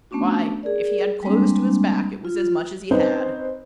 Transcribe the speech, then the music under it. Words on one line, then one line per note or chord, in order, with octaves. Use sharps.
Why, if he had clothes to his back, it was as much as he had.'
A3 B3 C#4 D4 F#4
G#4 A#4 D5
G3 G#3 A#3 C4 D4
F4
C4 C#4 D#4 B4 C5